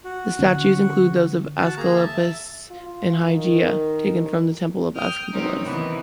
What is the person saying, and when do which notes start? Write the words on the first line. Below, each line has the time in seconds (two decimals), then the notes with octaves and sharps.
The statues include those of Aesculapius and Hygieia, taken from the temple of Aesculapius.
0.04 F#4
0.39 D3 C#4
1.57 F#4 A5
1.77 A#3 G#4 A#5
1.96 E5 A5
2.71 F4
3.27 D#3
4.95 G5 D#6 F6 G6
5.32 F#3 A3 C4 C#4 D#4 A#4
5.61 C3 D#3 E3 B3